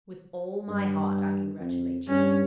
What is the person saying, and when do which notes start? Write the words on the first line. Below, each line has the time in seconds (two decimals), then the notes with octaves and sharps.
With all my heart, I congratulate you.
0.69 G2
1.60 F2
2.07 G2 C#4